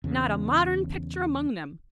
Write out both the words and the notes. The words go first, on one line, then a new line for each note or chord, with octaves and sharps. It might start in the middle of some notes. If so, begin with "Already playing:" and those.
Not a modern picture among them.
E2 C#3